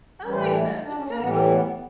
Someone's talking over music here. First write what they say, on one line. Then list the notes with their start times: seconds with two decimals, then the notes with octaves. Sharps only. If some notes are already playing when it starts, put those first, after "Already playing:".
I like that, that's kinda cool.
0.25 A2 E3 G3 C#4
0.49 D4
0.73 D#4
0.84 D4
0.96 C#4
1.09 A#3
1.19 A2 E3 G3 B3
1.51 B3